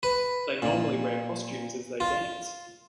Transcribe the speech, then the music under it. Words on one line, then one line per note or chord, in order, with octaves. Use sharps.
They normally wear costumes as they dance.
B4
A#2
F4